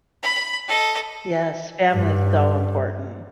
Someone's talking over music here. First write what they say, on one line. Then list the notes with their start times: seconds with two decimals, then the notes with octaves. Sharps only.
Yes, family is so important.
0.22 B5
0.67 A4 D#5
1.91 G2